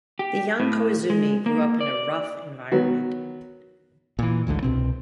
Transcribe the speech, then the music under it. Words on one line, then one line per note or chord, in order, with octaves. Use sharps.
The young Koizumi grew up in a rough environment.
G4
A2
G#3
A#3
D5
D#3 F#3 B3 F#4
A#2 E3
A1 D2 G#2 D3
C2 B2 C4